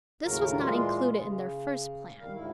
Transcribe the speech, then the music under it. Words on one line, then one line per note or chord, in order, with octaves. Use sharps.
This was not included in their first plan.
D#2 A2 C#3 F#3 A#4
A#2 E3 G#3 F4
C#3
D#3 G3 F5
D2 G#2 E4